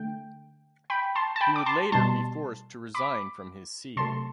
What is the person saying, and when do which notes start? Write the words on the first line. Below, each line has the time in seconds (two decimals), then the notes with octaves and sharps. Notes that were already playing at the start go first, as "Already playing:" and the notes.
He would later be forced to resign from his seat.
Already playing: D3 A3 G5
0.90 G5 B5
1.15 A5 C6
1.36 A5
1.41 G5 B5
1.56 D6
1.66 A5 C6
1.92 B2 G3 A5 C6
2.94 B5 D6
3.96 C3 F#3 A3 A5 C6